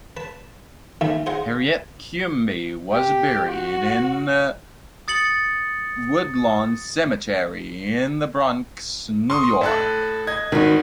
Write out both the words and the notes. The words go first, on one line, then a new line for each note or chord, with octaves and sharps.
Harriet Quimby was buried in the Woodlawn Cemetery in The Bronx, New York.
B4 A5
D#2 D#3 E3 A3
F4 G#4 C5 D#5 F#5
G4
F#4
D#6 A6 C#7 F#7
C6 C#6 D#6
A2 A4 F#6
D#5 G#6
G#1 D#3 F#4